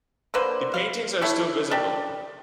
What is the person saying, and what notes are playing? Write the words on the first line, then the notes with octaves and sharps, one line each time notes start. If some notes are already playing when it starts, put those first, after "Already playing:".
The paintings are still visible.
D3 A#3 B4 C5
F5
E4 A4 C#5
D4 G4